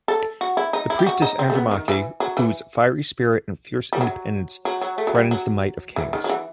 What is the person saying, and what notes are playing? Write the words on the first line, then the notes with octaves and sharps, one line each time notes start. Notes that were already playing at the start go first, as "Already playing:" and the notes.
The priestess Andromache, whose fiery spirit and fierce independence threatens the might of kings.
A4
F#4
E4
D#4
E4
G4
F#4
D#4
C4
A3
B3
D#3
E3
F#3
E3
G3
F#3
F#3
F#3
A3
F#3
G3
F#3
E3
D#3
F#3
E3